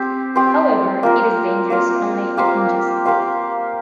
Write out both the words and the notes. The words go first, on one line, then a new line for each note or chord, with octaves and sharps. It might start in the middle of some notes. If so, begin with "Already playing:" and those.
However, it is dangerous only if ingested.
Already playing: C4 G4 C5
C4 G4 C5
A#3 F4 A#4
A#3 F4 A#4
A#3 G4 C5 F5
A#3 G4 C5 F5